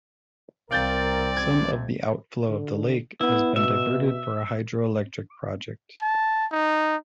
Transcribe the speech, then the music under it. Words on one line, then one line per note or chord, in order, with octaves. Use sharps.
Some of the outflow of the lake has been diverted for a hydroelectric project.
C2 C4 A#4 D5 F5 G6 A6
F2 C3 G#6
D3
B3 E4
B2 E5
A5
D#4